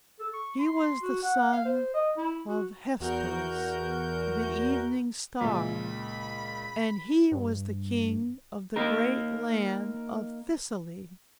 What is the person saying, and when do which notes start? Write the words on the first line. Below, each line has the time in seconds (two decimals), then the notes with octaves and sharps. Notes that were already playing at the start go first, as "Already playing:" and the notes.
He was the son of Hesperus, the Evening Star, and he was the king of the great land of Thessaly.
0.19 A4
0.33 C#6
0.59 C6
1.02 F#4
1.22 F#5
1.52 F5
1.65 C5
1.94 D#5
2.17 E4
2.48 F#4
3.00 E2 F#4 A#4 G6
5.41 C#2 A#2 B5
7.32 G2
8.76 A#3 D#4 A#4